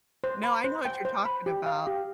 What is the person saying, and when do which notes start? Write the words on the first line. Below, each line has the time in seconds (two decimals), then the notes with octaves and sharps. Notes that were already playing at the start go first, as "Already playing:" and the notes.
No, I know what you're talking about.
0.24 C5
0.44 B5
0.64 C5
0.85 G5
1.05 C5
1.25 B5
1.46 G4
1.66 F5
1.87 G4